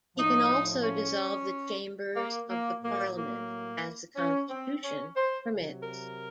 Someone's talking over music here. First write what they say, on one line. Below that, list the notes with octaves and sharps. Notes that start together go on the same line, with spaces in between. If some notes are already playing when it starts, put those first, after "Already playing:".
He can also dissolve the chambers of the Parliament, as the Constitution permits.
A2 F3 D#4
C#4
A#3
A#3
A2 F#3 A#3
A#3
C#4
C4
C#4
C5
C3 F#3
A#4